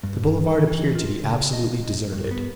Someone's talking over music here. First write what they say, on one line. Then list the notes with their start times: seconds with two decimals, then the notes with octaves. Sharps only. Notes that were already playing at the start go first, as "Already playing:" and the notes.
The boulevard appeared to be absolutely deserted.
0.03 G2
0.47 A4
0.67 E3
0.95 F4
1.24 C#3
1.53 D#5
2.13 G2
2.31 B3